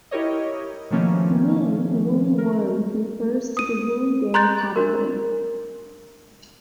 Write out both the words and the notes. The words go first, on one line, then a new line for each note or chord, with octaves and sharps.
The name "Woolly Worm" refers to the Woolly bear caterpillar.
E4 G4 A#4 C#5 D#5
B2 D#3 F3 A3 A#3 C#4
A#4
D#6 D#7
A#5 C6 F#6 G6 A6
D4 F#4 A#4